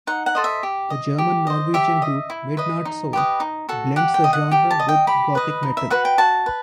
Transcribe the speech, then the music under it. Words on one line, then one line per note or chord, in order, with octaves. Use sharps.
The German-Norwegian group Midnattsol blends the genre with gothic metal.
D#4 F#5
F#5
A4 C5 D#5
E5
G4
D#5
G4
C5 D#5
G4 E5
D#5
E4
B4 D#5
D#4
G4 B4 D#5
D#4
F#4 A4
G4 F#5
G5
D#5
F#5
G4 G5
A5
D#5
G5
G4 B5
B4 D#5
D#4
E5
F#4 B4 F#5
G5
F#4 A5
B4